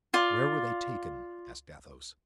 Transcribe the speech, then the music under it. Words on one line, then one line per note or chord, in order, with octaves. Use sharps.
"Where were they taken?" asked Athos.
F4 D5